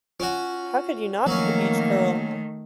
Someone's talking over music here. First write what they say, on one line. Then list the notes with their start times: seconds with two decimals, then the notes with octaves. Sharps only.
How could you not be a beach girl?
0.20 C#4 F4 F#4
1.26 D#3 F3 F#3 A3 A#3 C#4